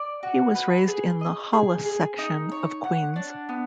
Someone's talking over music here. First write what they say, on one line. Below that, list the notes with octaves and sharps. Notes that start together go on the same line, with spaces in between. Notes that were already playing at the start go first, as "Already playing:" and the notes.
He was raised in the Hollis section of Queens.
Already playing: D5
F#4
B4
G#4
D#5
G#4
G#4
D#4
C#5
F#5
D4
B3